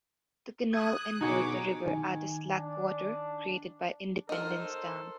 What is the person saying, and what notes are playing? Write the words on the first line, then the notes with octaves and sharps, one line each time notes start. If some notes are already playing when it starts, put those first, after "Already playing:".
The canal entered the river at a "slackwater" created by Independence Dam.
D#6 F#6 G#6
B2 D#4 F#4 G#4 C#5 D6
D#3 G#5
D4
D#4 A4 A#4 C5